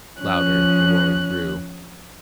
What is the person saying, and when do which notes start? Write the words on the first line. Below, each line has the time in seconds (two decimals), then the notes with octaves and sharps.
Louder the roaring grew.
0.20 F3 C#4 F#6